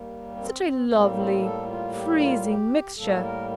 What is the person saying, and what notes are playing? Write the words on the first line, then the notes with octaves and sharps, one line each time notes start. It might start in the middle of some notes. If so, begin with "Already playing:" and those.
'Such a lovely freezing mixture!
Already playing: D#2 D#3 G3 A#3
C4
C4
A2 G3 A#3 C4
C4
A4
F4
G4
F4
G4
A2 G3 A#3 A4
A#4